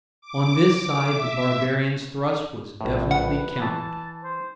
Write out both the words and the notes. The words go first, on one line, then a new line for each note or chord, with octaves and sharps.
On this side the barbarians' thrust was definitely countered.
D6
E5
A#1 A2
B4 F#5
E3 A5
C5